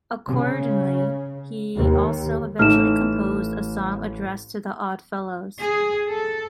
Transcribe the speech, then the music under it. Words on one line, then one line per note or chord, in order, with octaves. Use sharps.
Accordingly, he also eventually composed a song addressed to the Oddfellows.
C#3
D#2
A1 A3 D#4 F6 E7
G#4
A4